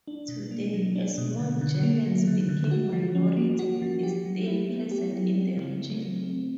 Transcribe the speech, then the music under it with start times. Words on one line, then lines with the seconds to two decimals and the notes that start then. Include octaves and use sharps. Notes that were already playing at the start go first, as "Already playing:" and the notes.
Today, a small German-speaking minority is still present in the region.
0.07 D4
0.28 B2
0.51 A#3
0.73 F#3
0.96 D4
1.18 B2
1.39 D3
1.61 D3
1.83 A#3
2.06 F#3
2.27 D3
2.49 D3
2.71 F#4
2.93 F3
3.15 C#4
3.37 A#3
3.59 F#4
3.82 F3
4.03 G4
4.25 F#3
4.47 E4
4.70 B3
4.91 G4
5.13 F#3
5.35 C4
5.57 C#3
5.80 A3
6.01 F#3
6.24 C4